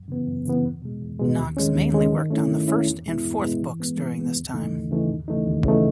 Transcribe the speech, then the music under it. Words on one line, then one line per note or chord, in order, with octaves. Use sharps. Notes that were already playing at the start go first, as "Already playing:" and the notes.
Knox mainly worked on the first and fourth books during this time.
Already playing: F#2
C#3 E3 B3
F#2
C#3 E3 B3
E2
B2 G#3
E2
B2 G#3
D#2
D#3 G#3 C#4
D#2
D#3 G#3 C#4
D#3
A3 C#4 E4
D#3
A3 C#4 E4
E2
B2 G#3 B3 E4
E2
B2 G#3 B3 E4
E3
G#3 B3
E3
G#3 B3
D#2
C#3 E3 A3 D#4
D#2
C#3 E3 A3 D#4
D#2
C#3 E3 A3 D#4
D#2
C#3 E3 A3 D#4